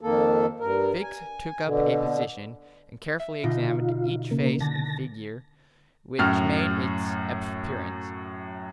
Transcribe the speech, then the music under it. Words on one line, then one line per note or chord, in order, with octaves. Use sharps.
Fix took up a position, and carefully examined each face and figure which made its appearance.
F2 D#3 A#3 A4
G2 A#4
G#5
B2 D3
E5
B2 D3 D#4 F4
C#3 A#3
D3 A5 A#6
F#2 A2 F6